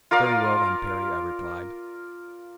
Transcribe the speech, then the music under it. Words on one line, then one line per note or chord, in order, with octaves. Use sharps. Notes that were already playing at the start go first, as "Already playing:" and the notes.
"Very well then, Perry." I replied.
F4 A#4 D5 F5